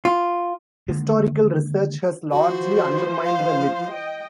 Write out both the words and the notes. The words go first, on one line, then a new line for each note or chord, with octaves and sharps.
Historical research has largely undermined the myth.
F4
D3 D#3 G#3 A#3
E3 F3 F#4 C5
F5
D#5 G5